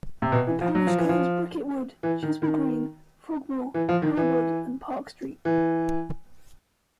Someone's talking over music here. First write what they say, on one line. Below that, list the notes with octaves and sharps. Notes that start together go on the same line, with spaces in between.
The parish covers Bricket Wood, Chiswell Green, Frogmore, How Wood and Park Street.
C3
B2
E3
F3
F#3
F3
E3
F3
E3
D#3
D#3
E3
F3
D#3
E3
E3